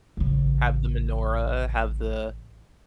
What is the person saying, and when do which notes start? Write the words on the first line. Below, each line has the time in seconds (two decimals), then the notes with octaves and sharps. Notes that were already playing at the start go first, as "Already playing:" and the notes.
Have the menorah, have the
0.17 A1 C#3